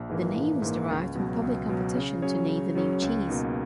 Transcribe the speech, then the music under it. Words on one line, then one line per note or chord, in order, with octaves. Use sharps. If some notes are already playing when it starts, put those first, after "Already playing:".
The name was derived from public competition to name the new cheese.
Already playing: A#1
G#2 E3 A#3
A#1
G#2 E3 A#3
C#2
B2 F#3
C#2
B2 F#3
C#3
F#3 C#4 G#4 C#5
C#3
F#3 C#4 G#4 C#5
C#2
B2 A#3 D#4